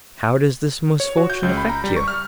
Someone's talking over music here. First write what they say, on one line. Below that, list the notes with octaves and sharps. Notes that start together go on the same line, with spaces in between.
How does this misfortune affect you?
C#5
F#4
G6
C#2
B5
A#5
G3
C#6
F6